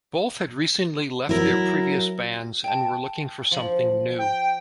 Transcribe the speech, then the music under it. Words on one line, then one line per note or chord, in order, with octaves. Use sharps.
Both had recently left their previous bands and were looking for something new.
F#3 E4 A#4
G5 A5
F3 F5 F#7
G5